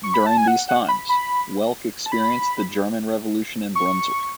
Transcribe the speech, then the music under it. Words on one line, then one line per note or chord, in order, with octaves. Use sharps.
During these times, Welk experienced the German Revolution in Brunswick.
C#6
B5
A5
G#5
F#5
F#5
B5
B5
A5
B5
C#6